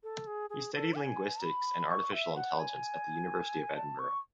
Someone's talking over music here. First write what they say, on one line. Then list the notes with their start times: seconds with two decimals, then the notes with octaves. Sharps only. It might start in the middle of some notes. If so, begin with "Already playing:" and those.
He studied linguistics and artificial intelligence at the University of Edinburgh.
0.04 A4
0.27 G#4
0.50 G#4
0.74 A4
0.96 G#5
1.43 B5
1.90 C#6
2.13 E5
2.36 F#5
2.59 G#5
3.76 A5
3.99 C#6